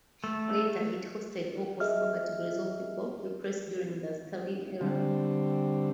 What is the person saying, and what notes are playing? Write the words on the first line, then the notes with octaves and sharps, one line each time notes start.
Later, it hosted all possible categories of people repressed during the Stalin era.
A3
G#4 D#5 E5 F6
D3 G3 C4